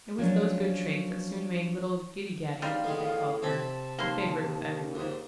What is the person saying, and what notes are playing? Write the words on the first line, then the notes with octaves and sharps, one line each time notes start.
It was those good traits that soon made little "Giddygaddy," as they called her, a favorite with every one.
F3 F#3 C#4 D4
C#2 G3 D4 D#4 F4 F5
A2 G#3 B3
F5
C3 C4 A5 B5
D#2 A#3 C6
C#2 G#2